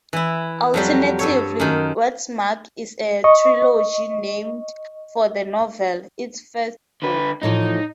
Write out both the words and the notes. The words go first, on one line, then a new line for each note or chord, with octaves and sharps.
Alternatively, "Westmark" is a trilogy named for the novel, its first book.
E3 E4
F2 F#3 G3
G2 A4 C#5
F#2 D#3
D#5 C#6
D3 B4
A2 E3 F3 D#4